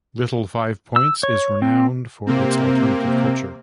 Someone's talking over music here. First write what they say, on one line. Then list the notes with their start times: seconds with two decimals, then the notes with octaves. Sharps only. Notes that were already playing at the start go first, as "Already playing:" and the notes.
Little Five Points is renowned for its alternative culture.
0.96 E6
1.23 C#5
1.62 C4
2.27 C3 A#3 C4